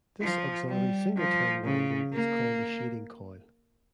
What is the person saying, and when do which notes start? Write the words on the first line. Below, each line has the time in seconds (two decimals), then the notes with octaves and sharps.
This auxiliary single-turn winding is called a shading coil.
0.21 F3
0.68 G3
1.17 F3
1.64 C#3
2.13 A#3